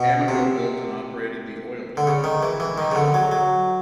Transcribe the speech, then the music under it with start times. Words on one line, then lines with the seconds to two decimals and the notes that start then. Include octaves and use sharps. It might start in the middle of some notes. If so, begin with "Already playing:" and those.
Amoco built and operated the oil terminal on the island.
Already playing: B2
0.28 C3
1.97 D3
2.07 C#3
2.24 D#3
2.43 E3
2.60 E3
2.78 D#3
2.91 C#3
2.95 D3
3.14 F#3
3.31 F#3